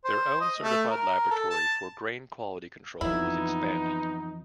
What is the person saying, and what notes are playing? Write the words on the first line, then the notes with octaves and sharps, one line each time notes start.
Their own certified laboratory for grain quality control was expanded.
C5
D#5
A3
A#4
A4
A5
F2 E3 B3 D#4 E4